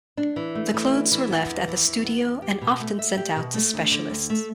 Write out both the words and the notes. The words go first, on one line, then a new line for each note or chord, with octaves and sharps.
The clothes were left at the studio and often sent out to specialists.
D4
E3
A3
E3
D4
E3
B3
E2
E3
E2
B3
E2
G4
B2
A3
E5
G4
B2
A3
D2
D3
D2
A3